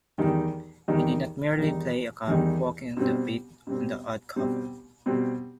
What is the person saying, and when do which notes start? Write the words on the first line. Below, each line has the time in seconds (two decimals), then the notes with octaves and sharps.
He did not merely play a cop walking the beat on 'The Odd Couple'.
0.18 E2 D#3 G3 D#4
0.88 E2 D#3 G3 D#4
1.58 E2 D#3 G3 D#4
2.28 E2 D#3 G3 D#4
2.97 B2 G3 C4
3.67 B2 G3 C4
4.36 B2 G3 C4
5.06 B2 G3 C4